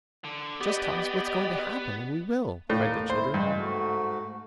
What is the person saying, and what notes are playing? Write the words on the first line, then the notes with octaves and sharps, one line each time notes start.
"Just tell us what's going to happen, and we will," cried the children.
D3
B3 G4 D5 D#5
D#2 A2 A#3
E4 C5
G2 C#3 E3 G#3
G#2 A3 F#4